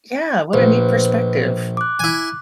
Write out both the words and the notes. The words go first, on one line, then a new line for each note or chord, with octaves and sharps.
yeah, what a neat perspective.
A#1 B4 C5
D6 F#6
E4 G#5